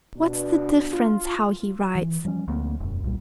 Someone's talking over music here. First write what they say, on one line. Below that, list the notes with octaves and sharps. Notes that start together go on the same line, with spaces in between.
What's the difference how he writes?
B2 D4
F4
E3
F3 G3 A3 C#4
D2 A#3 C4
E1 F#2
C2 A#2 G3